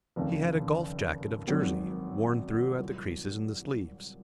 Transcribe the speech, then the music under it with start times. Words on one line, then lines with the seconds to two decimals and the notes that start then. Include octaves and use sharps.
He had a golf jacket of jersey, worn through at the creases in the sleeves.
0.16 F1 D#2 C#3
1.47 G#1 F#2 D#3 F#3 C4
2.80 C2 A#2 F#3